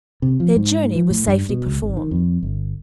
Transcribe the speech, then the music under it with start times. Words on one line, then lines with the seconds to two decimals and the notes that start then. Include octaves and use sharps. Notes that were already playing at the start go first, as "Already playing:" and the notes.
Their journey was safely performed.
0.22 C3
0.40 F3
0.56 G#2
0.95 F3
1.10 A2
1.27 G2
1.49 B2
1.66 C#2
1.82 G#1
1.97 D#3
2.11 F2
2.43 G1